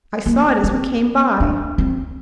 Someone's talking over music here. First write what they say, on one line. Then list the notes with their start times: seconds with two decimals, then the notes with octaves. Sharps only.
I saw it as we came by.
0.26 A#3
0.64 C4
1.40 D4
1.78 C4